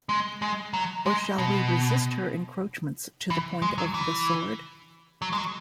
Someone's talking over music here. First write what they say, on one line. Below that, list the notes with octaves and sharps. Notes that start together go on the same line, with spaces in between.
Or shall we resist her encroachments to the point of the sword?...
G#3
G#3
F#3
G#3
B2
E3
G#3
F#3
E3
F#3
G#3
F#3